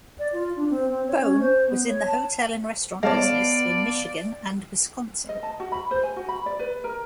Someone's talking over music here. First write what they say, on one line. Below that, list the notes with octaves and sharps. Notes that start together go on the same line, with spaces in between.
Bohn was in the hotel and restaurant business in Michigan and Wisconsin.
D5
F4
D4
C4
C4
C#5
C#4
C5
B3
C#5
A5
G#3 B3 C#5 D5 F5 A5
D#5
A5
F#4
B5
C5
G#5
F#4
B5
D5
B4
A#4